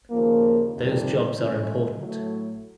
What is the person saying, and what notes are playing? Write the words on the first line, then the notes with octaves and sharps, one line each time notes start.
Those jobs are important.
D#2 C#3 F3 A#3
F2 C3 D#3 G3
A2 E3 G#3 C#4 E4
A2 F#3 A3